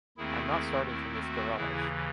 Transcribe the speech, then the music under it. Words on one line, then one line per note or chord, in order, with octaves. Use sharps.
I’m not starting from this garage.
D#2 D#3 A3 C4 E4 G#4
E4
F#4
D#2 C#3 E3 E4 G#4